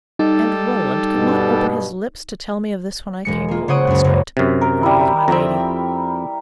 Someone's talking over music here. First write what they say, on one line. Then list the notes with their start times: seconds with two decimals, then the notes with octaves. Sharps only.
"And Roland could not open his lips to tell me of this when I came home last night!" grumbled my lady.
0.19 G3 D#4 A4
1.16 G2 B2
3.25 E1 G#3 C#7
3.48 A#3 F4
3.68 C#3 C5 C#5 F#5 D#6 D7
3.87 C#2 F#2
4.04 F#1 C#2
4.37 F#2 C3
4.61 A#4
4.83 G3 E4
5.28 F2 C4 E5 G5 A#5